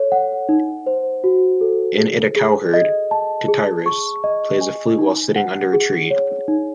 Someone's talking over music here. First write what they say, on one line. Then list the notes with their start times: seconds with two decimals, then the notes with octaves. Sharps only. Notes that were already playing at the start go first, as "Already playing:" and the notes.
In it a cowherd, Tityrus, plays a flute while sitting under a tree.
Already playing: A4 C#5
0.12 F#5
0.49 D#4
0.87 C5
1.24 F#4
1.61 A4
1.99 G#4
2.36 G#4
2.74 D#5
3.11 A5
3.48 G#4
3.86 C#6
4.24 D#5
4.61 G#5
4.98 D#4
5.36 F#5
5.73 G#4
6.11 C#5
6.48 D#4